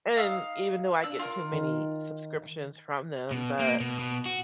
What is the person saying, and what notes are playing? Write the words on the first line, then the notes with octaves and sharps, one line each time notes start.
And even though I get too many subscriptions from them, but,
D#4 F5 E6
D4 E6
F4 A#4
D#3
B2
A#3
B2
B2
F#4